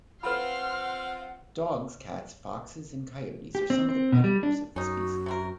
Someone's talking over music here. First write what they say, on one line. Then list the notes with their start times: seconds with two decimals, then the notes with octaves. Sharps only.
Dogs, cats, foxes, and coyotes are some of the predators of the species.
0.23 C4 F4 B4 F#5 B5 C6 F6
3.55 G4
3.70 C4
3.89 C4
4.12 B2
4.24 G3
4.43 D4
4.76 F#2 C#4 D#4 F#4
5.26 C3 C4 A#4